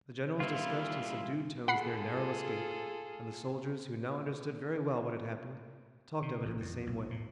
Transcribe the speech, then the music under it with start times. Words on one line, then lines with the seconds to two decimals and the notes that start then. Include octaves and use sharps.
The generals discussed in subdued tones their narrow escape, and the soldiers, who now understood very well what had happened, talked of it in the same way.
0.40 G3 A#3 E4 F4
1.68 F4 G#4 A4 F#5 B5 C7
6.22 C3
6.45 A1
6.60 F2
6.87 B1
7.10 A2